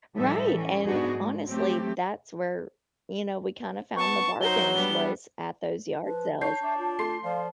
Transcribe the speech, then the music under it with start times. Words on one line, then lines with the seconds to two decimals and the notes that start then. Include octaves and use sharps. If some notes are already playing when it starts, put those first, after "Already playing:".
Right and honestly, that's where, you know, we kinda found the bargains was at those yard sales
0.16 A2 F3 G3 D#4 A4 E5
0.51 E3 C#4
0.86 G#2 B3 D4 D#4 F#4 G#4
1.18 G#3
1.50 F#3 A3 C4 G4
3.96 B3 A5 C#6
4.41 F#3 D#4 C5 G7
4.74 G3 B3 D4
6.04 F3 B4
6.41 D#4 C#5 A5 G6 C7
6.63 D4 E5
6.78 F4
6.99 A3 C6 C7
7.24 F3 D5 F5